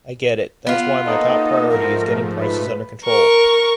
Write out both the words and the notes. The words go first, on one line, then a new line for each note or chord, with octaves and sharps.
I get it. That’s why my top priority is getting prices under control.
B3 F4
A#3 D#4 A4 D#5
G#2 F3 A3 A#4
B4
A#4 C#6